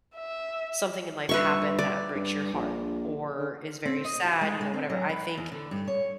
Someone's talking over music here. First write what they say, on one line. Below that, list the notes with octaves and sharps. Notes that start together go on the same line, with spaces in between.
something in life happen that breaks your heart or is very sad, you know, whatever, I think
E5
G2 B4 E5 C#6
D5
G2
A#1
D3
C4
D#5
F#4
G#3
G#3
C4
F#3
B4
E2
D3
G2
C#5